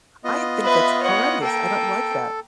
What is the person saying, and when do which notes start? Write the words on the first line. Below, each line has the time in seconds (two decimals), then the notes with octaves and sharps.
I think that's horrendous. I don't like that.
0.24 B3 F4 D#5
0.64 B4 E5
1.03 C#5 F#5
1.41 A#3 A4 G5